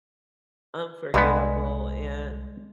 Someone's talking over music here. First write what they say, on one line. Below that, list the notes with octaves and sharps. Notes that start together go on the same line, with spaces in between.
unforgettable, and
C2 G2 G3 G#3 B3